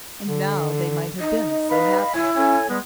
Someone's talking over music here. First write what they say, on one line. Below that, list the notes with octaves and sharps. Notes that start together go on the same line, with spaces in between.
And now they might have been so happy!
D3
D#4 D#5
B4 D#5 F5 B5
E4 C#5 G#5
C#4 A4 C#5 G#5
G3 G#3 B3